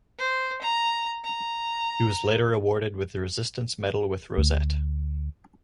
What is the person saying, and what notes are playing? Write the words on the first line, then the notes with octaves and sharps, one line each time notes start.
He was later awarded the Resistance Medal with rosette.
C5
A#5
A#5
D2